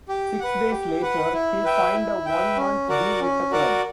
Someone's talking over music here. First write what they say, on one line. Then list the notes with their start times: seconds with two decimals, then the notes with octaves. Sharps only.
Six days later, he signed a one-month deal with the club.
0.09 G4
0.40 B4 F#5
0.71 G4
1.02 B4 F#5
1.33 E4
1.64 B4 E5 G5
1.95 E4
2.26 B4 E5 G5
2.57 C#4
2.88 F#4 A#4 D5 F#5
3.20 C#4
3.51 F#4 A#4 D5 F#5